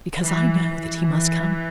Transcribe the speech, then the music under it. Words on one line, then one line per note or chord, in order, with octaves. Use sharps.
"Because I know that he must come."
E3
E3